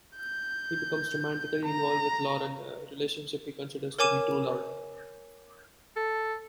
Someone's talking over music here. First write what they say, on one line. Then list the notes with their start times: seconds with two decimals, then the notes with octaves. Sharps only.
He becomes romantically involved with Lauren, a relationship he considers to be true love.
0.17 G6
1.65 A#5
3.99 A#4 C#5 G#5 D6 D#7 E7
5.96 A4